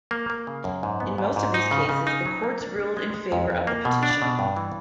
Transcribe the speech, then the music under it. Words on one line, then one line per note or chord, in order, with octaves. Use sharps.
In most of these cases, the courts ruled in favor of the petitioner.
A#3
A#3
C#3
F#2
G#2
B3
G#2
G#2
D#4
C#3
C#3
D#4
F#3
A#3
D4
D4
G#3
G#3
F2
F2
A#3
B2
D4
B2
G2
E3